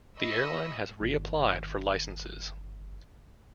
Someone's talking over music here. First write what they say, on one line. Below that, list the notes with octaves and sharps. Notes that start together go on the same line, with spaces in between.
The airline has re-applied for licences.
D#5 E5 B5 C#6 D#6 E6
G1 D#3